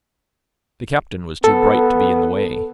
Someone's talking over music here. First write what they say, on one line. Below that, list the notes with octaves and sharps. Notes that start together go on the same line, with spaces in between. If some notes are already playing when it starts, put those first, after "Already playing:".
The captain was too bright to be in the way.
B3 A4